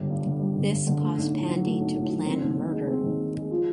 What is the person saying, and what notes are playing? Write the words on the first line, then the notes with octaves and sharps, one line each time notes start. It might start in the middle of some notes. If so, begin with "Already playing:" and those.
This caused Pandi to plan murder.
Already playing: G1 G3
G2
D3
G3
G1
G2
D3
A3
B1
A2
F#3
A3
B1
A2
F#3
C4
D#2
D#3
G#3
C4
D#2
D#3
G#3
F3